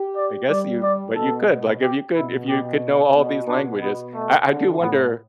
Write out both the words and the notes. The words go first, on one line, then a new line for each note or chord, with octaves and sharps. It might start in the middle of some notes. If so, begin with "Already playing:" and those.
I guess you but you could, like, if you could if you could know all these languages, I I do wonder
Already playing: G4
D5
G3 D5
D5
B2 A4
B2
G4
B2 E4
G4
B2
B2 D4
B3
A3
D3
A2 B3